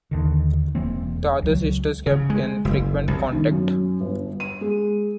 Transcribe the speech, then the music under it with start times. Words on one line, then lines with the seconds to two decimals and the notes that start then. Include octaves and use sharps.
The other sisters kept in frequent contact.
0.11 D#2 D3 D#3
0.75 E1 E3 A#3 C4
1.42 C#2 F#3
2.06 C#3
2.30 G#3
2.65 F#1
3.08 C2
3.33 D#3
3.51 F#2
4.00 G1
4.40 D#7
4.61 G#3